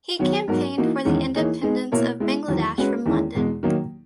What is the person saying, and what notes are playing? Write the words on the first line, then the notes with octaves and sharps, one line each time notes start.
He campaigned for the independence of Bangladesh from London.
D#3 F#3 B3 F#4 C#5
G#2 F#3 B3 F#4 A#4
E3 A#3 D#4 F#4
E2 D#3 G#3 C#4
E3 A#3 D#4 G#4 C#5
G#3 D#4 G#4
B2 A#3 E4 A#4 C#5
G#3 B3 E4
E2 D#3 F#3
G#3 C#4 F#4 B4
E2 D#3 G#3 C#4 E4
E2 B2 G#3
D#3 F#3 A#3 D#4